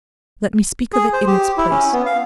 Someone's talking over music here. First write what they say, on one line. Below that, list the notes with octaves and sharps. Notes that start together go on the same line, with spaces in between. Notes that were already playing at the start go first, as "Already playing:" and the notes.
Let me speak of it in its place.
G#4
C5
G4
E4
C#4
B3
F5